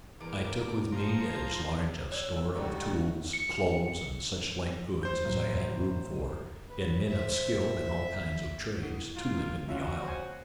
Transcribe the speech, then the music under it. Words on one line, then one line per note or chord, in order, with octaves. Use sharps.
I took with me as large a store of tools, clothes, and such like goods as I had room for, and men of skill in all kinds of trades, to live in the isle.
E2 A#4 D5 D6
F3 A5 A#5 C6
C#5 D5 E6
A1 G#2 D3 G3 F#4
C#7
C5 G6
A2 F#3
B4
C5 E5
E4 F#5 D#6
F4 F5 A#5 D7
C4 C#4 F4 F#4 C#5 E5 C#7
C5 G#5